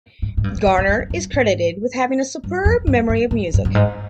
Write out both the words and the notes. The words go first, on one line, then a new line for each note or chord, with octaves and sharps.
Garner is credited with having a superb memory of music.
G#2
G#2
G2
G#2
A#2
G#2
G2
F2
G2
G#2
G2
F2
G2
G2
G#2
G2
G2
G#2